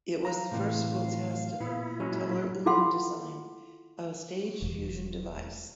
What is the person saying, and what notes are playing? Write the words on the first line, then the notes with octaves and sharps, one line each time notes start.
It was the first full test of the Teller-Ulam design, a staged fusion device.
F5 A#5
A2 C3 E3
A#2 B3 E4
F#3 G#3 C#4
E4 F4 A4 F5 F#5 C6
E1